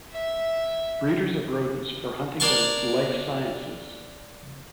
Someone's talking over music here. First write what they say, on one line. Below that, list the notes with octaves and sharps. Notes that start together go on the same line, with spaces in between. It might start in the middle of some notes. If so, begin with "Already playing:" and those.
Breeders of Rodents for Huntingdon Life Sciences.
E5
D4 A#4 G#5 A5 C6 C#6